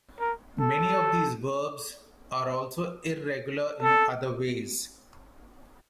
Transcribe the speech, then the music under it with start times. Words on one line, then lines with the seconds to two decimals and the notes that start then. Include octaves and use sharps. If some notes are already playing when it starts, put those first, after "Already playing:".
Many of these verbs are also irregular in other ways.
0.20 A#4
0.60 A4
3.83 A4